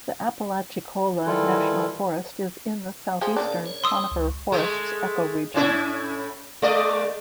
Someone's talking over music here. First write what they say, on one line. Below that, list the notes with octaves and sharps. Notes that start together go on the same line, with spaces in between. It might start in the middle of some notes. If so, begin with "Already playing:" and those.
The Apalachicola National Forest is in the southeastern conifer forests ecoregion.
D#3 E3 G3 E4 F4 A4
F3 F4 G#4 G5
C#3 A#3 D4 D5
C#5
C6 D#6 E6
C#2
G#3 A3
A2 C#4 E4
G#3 D5 D#5